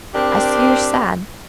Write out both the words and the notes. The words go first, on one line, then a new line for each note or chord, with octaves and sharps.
I see you're sad....
C4 D4 G4 A#4